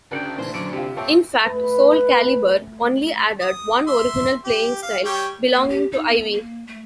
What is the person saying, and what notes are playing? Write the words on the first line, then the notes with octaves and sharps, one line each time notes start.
In fact, "Soulcalibur" only added one original playing style, belonging to Ivy.
D2 C#3 D4 F#4 G#4 A#4 F#5 G5
A#2 E3 C5
F#2 D3 F#3 D5
C3 F4 G4
A#2 C4 D4 A4 C#5 E5 C6
A3 B4
D#6
E5 C6
G4
F5
G3 C#5 G5
A#3
G4
D#4
B3
A#3
A3